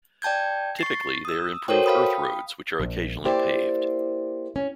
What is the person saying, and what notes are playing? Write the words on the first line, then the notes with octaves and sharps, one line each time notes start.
Typically they are improved earth roads which are occasionally paved.
D5 G5 A5 G6 G#6
C#6 A6 C7
D#6 E6
F#4 A4 A#4 C5 C#5 G5
F5 G5 B5 D#6
A#1
A#3 E4 G4 C5 D5
C#4